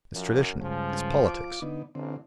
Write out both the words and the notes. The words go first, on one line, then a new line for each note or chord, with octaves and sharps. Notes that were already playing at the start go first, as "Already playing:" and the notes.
It's tradition--it's politics.
F#2 F3
G2 C#3 F3 G#3
F4 D6
D3 B3 D#4
A1 D3 C4